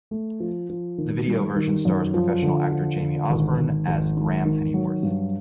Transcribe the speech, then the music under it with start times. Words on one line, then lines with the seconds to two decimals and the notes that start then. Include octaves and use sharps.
The video version stars professional actor Jamie Osborn as Graham Pennyworth.
0.11 A3
0.40 F3
0.70 F3
0.98 D#3
1.27 G3
1.56 D#3
1.85 F#2
2.14 F3
2.42 D3
2.72 F3
3.00 D3
3.30 G#1
3.58 G#1
3.88 G#1
4.17 G#2
4.45 D#3
4.74 F#3
5.03 G2